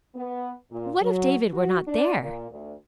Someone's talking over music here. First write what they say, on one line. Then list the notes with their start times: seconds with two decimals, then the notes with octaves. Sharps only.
What if David were not there!
0.15 B3
0.71 A#2
1.02 F#3
1.53 F#4
1.87 D4
2.20 A#2
2.50 D2